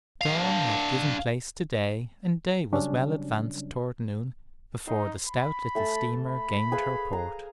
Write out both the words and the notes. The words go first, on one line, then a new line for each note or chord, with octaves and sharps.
Dawn had given place to day, and day was well advanced toward noon, before the stout little steamer gained her port.
D4 F5
C#3 F#3 G3 C#4 D4
D#4 C6
B5
A3 G#5 A5
B5
G#4 B4 F5
A#5